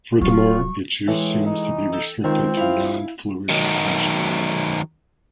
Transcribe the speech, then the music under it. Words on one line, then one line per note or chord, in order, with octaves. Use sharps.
Furthermore, its use seems to be restricted to non-fluent aphasia.
D1 F#3 F4 C#6
A2 E3 G#3 A4
D#4
A4 G5
C#2 D#3 C4
F3 E4 F5
D#3 F#3